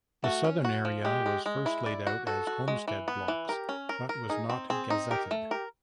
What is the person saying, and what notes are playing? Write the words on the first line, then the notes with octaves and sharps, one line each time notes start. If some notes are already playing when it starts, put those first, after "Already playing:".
The southern area was first laid out as "homestead blocks" but was not gazetted.
A3 F#4
C#4
F#4
F3
G#3 G4
G#3
G#3
E4
D5
F#4
F#4 A4
F#4
G#3
E3
B3
E3
G4 A#4
C#4
A#4
A#4
D#4 G#4
C4
C4 G#4
D#4
G4 A#4
A3
G4 A#4